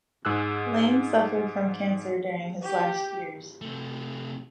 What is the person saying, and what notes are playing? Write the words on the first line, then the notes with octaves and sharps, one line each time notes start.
Layne suffered from cancer during his last years.
G#2 G#4 E6 F#6
G4
C3 A3